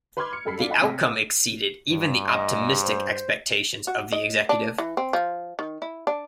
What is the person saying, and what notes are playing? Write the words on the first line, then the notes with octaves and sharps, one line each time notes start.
The outcome exceeded even the optimistic expectations of the executive.
B4 B5 C6 D6 F6 G#6
C#7
F#2 G3 A4 B5 B6 C7
D4 F4 F#4 A4 D5
D#5 F#5 B5 B6
C3 G#5 A#6
G2
D#5
C5
F#4
D#5
D4
E3
C4
F3
D#3
E4
D4